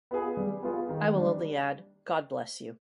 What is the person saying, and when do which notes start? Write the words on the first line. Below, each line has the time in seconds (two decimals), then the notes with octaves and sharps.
I will only add, God bless you.
0.11 B3 F4 G#4
0.37 G3
0.63 B3 F4 G#4
0.89 D#3
1.16 G3 D4